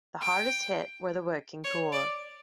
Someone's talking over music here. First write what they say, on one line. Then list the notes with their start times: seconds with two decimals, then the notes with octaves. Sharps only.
The hardest hit were the working poor.
0.22 G5
1.64 C#5
1.92 D5